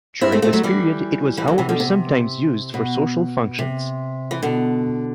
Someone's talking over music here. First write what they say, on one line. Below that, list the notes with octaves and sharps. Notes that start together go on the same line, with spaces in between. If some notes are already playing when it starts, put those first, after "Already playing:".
During this period it was however sometimes used for social functions.
C4 E4
A3 C4
A3 C4
F#3 A3
E3 G3
E3
D3 F#3
C3 E3
B2 D3
C3
B2
C3
E3
B2 D3